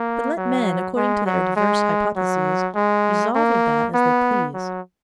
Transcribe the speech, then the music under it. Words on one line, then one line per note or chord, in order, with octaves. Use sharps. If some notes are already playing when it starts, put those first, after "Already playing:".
But let men, according to their diverse hypotheses, resolve of that as they please.
Already playing: A#3
F#3
G#3
F#3
G#3
F#3
G#3
A#3
B3
F#3